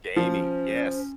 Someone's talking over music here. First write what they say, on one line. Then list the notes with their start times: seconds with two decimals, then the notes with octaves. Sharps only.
Gaming. Yes.
0.16 F3 C#4 C5